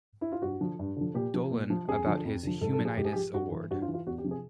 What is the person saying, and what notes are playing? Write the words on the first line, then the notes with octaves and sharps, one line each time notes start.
Dolan about his "Human-itis" award.
E4
F4
G2 F#4
D3 F3
G2
D3 F3
A#2 G4
F3
A#2
F3
F2 G#4
D3 F3
F2
D3 F3
G#2 A4
A4
F3
G#4
G#2 G4
G#4
F3 G4
G2 F#4
E3
G2 F#4
F4
E3
F4
E2 F#4
G4
C3 F3
G#4